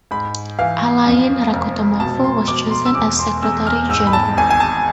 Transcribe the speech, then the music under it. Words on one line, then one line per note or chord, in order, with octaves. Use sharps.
Alain Rakotomavo was chosen as Secretary-General.
G#2 B5
E3 F5
F2
F1
B2 A5
C6
B2 D6
C6
E6
E2 D6
C6
E2 E6
F6
G#2 E6
B5
A5
G#1 G#5
G#5
A5